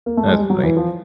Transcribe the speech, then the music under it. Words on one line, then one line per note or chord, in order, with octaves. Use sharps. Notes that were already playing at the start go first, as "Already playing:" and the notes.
That's funny.
A#3
A3
G#3
G3
F#3
E3
F3